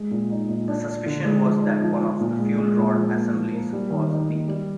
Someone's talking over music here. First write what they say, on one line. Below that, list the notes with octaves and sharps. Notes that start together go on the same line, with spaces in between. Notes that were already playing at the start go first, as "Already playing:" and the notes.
The suspicion was that one of the fuel rod assemblies was leaking.
Already playing: G#3
A#2
D#4
A#2
D4
D4
D3
G#3
F3
D#4
F3
F3
A#2
G#3
G#3
A#2
F3
A#3
F3
A#3
G3
D#3
D#4
A#3
G3